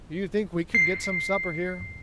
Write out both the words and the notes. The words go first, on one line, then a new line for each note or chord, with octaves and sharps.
"Do you think we could get some supper here?"
C7